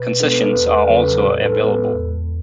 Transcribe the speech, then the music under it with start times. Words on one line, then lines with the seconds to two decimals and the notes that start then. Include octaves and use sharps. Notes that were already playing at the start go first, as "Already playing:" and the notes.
Concessions are also available.
Already playing: B2 B4
0.20 G#3 B3 D4 A4
0.32 B4
0.42 A4
0.53 E2 B4
0.64 A4
0.75 B4
0.87 C#3 F#3 C#4 A4
0.98 B4
1.08 A4
1.19 B4
1.25 A2
1.31 A4
1.41 B4
1.52 A4
1.61 G#3 B3
1.95 E2